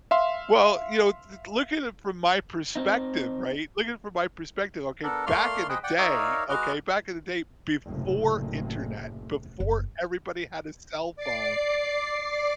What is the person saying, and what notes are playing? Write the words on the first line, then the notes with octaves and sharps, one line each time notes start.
Well, you know, to to look at it from my perspective, right? Looking from my perspective, okay, back in the day okay, back in the day, before internet, before everybody had a cellphone.
E5 F5 C6
C4 D#4
B3 D4 A4 A#4
A3 A#3 D5 F5 C6 F6
G#4 C5 D#5 G5 B5 F#6
D5 F#5 G5
D#4 A#4 C#5 D5 E5 F5
G#3 F#4 B4 D#5 D6 F6
F#1 A2 C3
F#1
D5 D6 C7